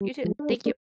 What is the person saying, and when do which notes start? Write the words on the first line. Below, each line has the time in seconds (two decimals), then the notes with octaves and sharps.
You too. Thank you
0.01 G3
0.24 F3 G#3
0.39 D4
0.49 G#3 C4
0.66 A#3 D4